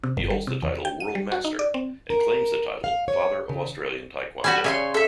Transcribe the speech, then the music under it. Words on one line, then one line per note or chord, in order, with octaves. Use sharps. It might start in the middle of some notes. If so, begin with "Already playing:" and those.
He holds the title 'World Master' and claims the title 'Father of Australian Taekwondo.
C3
G1
G3
C3
E2
G5
D#7
G3
F#4
D#4
D5
C4
A#4
F5
C#5
C#3
G3 F#4 B4 G#5 A5
C#3 C#5 E5 G#5 C6
A4 E5